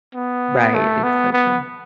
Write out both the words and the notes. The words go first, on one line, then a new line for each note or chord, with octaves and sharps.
Right, it's so true.
B3
A3
B3
B3